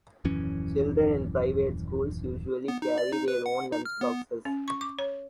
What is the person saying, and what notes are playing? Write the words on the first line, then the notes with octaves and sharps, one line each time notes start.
Children in private schools usually carry their own lunch boxes.
D#1 F#2 E3 C#4
B3
D#4
D5
D#4
B4
F#5
D#4
F6
B3
C#4
C#6
D6
C#5